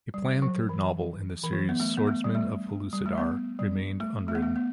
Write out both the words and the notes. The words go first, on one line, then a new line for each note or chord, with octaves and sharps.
A planned third novel in the series, "Swordsmen of Pellucidar", remained unwritten.
G3
F#3
E3
E3
F#3
B3
A3
B3
A3
G3
A3
G3
A3
B3
G3
A3
A3
B3
A3
B3